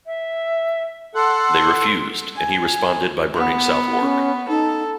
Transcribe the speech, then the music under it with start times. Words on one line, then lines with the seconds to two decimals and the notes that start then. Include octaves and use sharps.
They refused, and he responded by burning Southwark.
0.06 E5
1.15 A4 F#5 C6
2.36 G#5
3.35 B3
3.70 F#5
4.01 C#4
4.49 D#4 A4